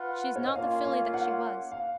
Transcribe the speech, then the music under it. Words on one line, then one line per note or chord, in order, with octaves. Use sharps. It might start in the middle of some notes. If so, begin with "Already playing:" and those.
She is not the filly that she was.
Already playing: F4 B4 F#5
C#5
D#5
A#3 C#4 F4 F5
F5
F#5
F5